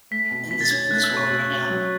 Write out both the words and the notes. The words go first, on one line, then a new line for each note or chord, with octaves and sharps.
in this in this world, right now.
A3 B6
B2
B2 B6
A6
C#4 G#6
A3 F#6
E6
B2
C#6
B2
C#4
F#3